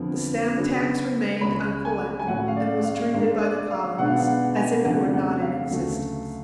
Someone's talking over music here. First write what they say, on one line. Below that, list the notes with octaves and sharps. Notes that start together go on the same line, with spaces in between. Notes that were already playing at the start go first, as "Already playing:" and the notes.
The stamp-tax remained uncollected and was treated by the colonists as if it were not in existence.
Already playing: F2 D3 F3 B3
C#3 F#3 B3 D4
C#2 C#3 G#3 C#4 B5
G#5
G#5
A2 F#3 C#4 F#5
F5
D5
F5
G#2 G#3 D4 F5
D5
D5
F5
B2 G#3 B3 D4 F#5
F5
F#5
F#5
G#5
F2 C#3 F3 A3 D4 F#5
F#5
F5
D2 C#3 F#3 A3